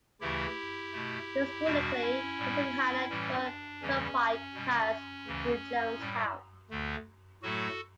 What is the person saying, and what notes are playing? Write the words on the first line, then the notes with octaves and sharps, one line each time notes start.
Historically, the Susquehanna and Tioga Turnpike passed through Jonestown.
D2 C#3 E3 A3 E4 G4
B2 A3
E2 B2 G3 D4 F#4
C#4 E4
A2 G3
A2 E3 G3 C#4
D4
E2 C#3 E3 G3 C#4
B2 G3
D2 C#3 E3
A2 G3
D2 D3 A3
A2 F#3 A3 F#4 A4